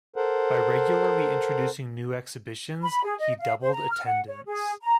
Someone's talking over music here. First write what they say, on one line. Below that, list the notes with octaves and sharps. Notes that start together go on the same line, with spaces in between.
By regularly introducing new exhibitions he doubled attendance.
A4 A#4 C5 F#5
B5
G#4
D#5
F5
C5
A#5
F6
F#5
C#5
G#4
A#5